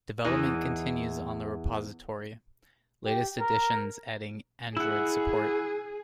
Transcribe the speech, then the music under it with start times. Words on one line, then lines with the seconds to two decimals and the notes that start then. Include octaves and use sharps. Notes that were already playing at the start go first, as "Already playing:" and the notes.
Development continues on the repository, latest additions adding Android support.
0.24 E2 E3 D#5
3.06 G4
3.40 A#4
4.77 E4 G#4 F#5